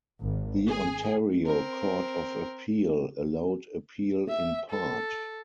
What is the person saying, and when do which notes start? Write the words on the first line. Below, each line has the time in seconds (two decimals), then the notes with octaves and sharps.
The Ontario Court of Appeal allowed appeal in part.
0.20 G#1
0.67 G#4
1.45 C4 A#4
4.29 E5
4.70 A4